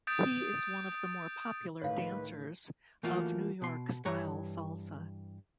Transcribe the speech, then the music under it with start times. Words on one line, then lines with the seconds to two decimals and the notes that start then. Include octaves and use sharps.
He is one of the more popular dancers of New York style salsa.
0.07 D#6 G6 A6 D7
1.82 C#2 A2 D#3 B4 C#5 F5
3.03 E3 A3 A#3 F4 F#4
3.62 B2 C6
4.05 G2 E3 C#5 A#5